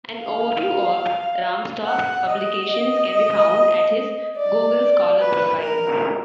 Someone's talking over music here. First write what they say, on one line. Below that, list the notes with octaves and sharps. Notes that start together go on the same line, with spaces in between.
An overview of Rahmstorf's publications can be found at his Google Scholar profile.
F5
F#5
D#5
D#5
D5
B4
A#4